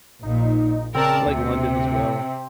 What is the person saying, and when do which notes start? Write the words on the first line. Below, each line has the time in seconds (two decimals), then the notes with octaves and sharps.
I like London as well.
0.23 A#1 A#2 D#4
0.94 C#3 C4 A#4 D5 A5
1.26 D2 C3